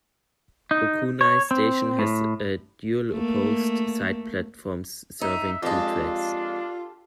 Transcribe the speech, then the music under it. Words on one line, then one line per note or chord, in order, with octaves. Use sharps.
Okunai Station has a dual opposed side platforms serving two tracks.
D#4
C#5
C4
A2
A3 A#3
D#4 E5
F2 G#3 D4 F4 G4 A4